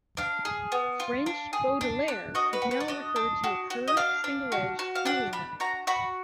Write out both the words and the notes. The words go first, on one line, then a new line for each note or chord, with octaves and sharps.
French "baudelaire" could now refer to a curved, single-edged hewing knife.
D4 F5
G#4
B3
F4
D4
G#4
D4
D4
F#4 D#5
B4
F#4
B4
D5
D4 D#5
D4
F#4
F#4
D#5
D4 F5
D4
F#4
F#4
F5
D4 F#5
D4 B5
F#4 A#5
F#4 B5